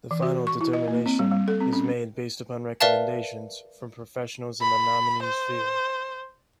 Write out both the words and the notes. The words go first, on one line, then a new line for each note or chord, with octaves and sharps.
The final determination is made based upon recommendations from professionals in the nominee's field.
E3
F#4
C#6
E4
D#5
A#3
C4
G3
G3
A4
C4
C#4
A#4 B4 D5 E5 F5 A5
B5
C5